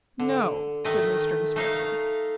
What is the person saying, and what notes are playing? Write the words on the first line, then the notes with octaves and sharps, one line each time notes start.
'No,' said Mr Inspector.
D3
D#3 A3 D#5
A3 D#4 F5